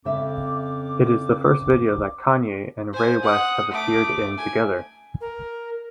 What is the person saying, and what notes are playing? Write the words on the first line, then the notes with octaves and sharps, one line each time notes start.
It is the first video that Kanye and Ray West have appeared in together.
F2 C#3 C5 E5 D6
C5 G#5
F#5 D#6
A3 D6
G#5
A#4